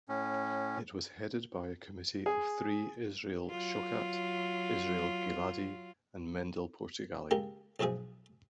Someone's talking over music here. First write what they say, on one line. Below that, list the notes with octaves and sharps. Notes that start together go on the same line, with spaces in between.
It was headed by a committee of three-Israel Shochat, Israel Giladi, and Mendel Portugali.
A2 C#4
G#4
F#3 F4
C#2 A#3 G4
B1 B2 E3 F3 G#4